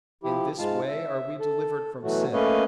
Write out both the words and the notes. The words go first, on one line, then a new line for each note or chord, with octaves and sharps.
In this way are we delivered from sin.
F3 E4 G4
G#2 G#3 F4 F5 A5
E5
A4
B2 E3 F#3 A3 F#4
A3 A#3 C#4 B4 C#5 D#5